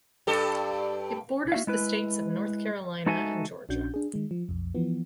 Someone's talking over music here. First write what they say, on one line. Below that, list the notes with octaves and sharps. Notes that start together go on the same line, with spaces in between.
It borders the states of North Carolina and Georgia.
G2 G4 A4
A#3 F#4 E5 F5
G#3 E4 B4
G#3 D#4 F#4 A4 E5 G#5
A#1 C#4 D4 F#4 G6
D4 G#4
D#3 G#3
F3
B1 F2
E3 F3 B3